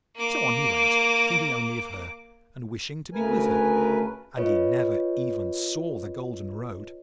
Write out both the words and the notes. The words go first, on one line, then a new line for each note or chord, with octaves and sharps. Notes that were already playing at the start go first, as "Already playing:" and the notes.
So on he went, thinking only of her, and wishing to be with her; and he never even saw the golden road.
A#3 D6
D2 C#3 A3 A#4 B4 G#5
F4 B4 C#5 D#5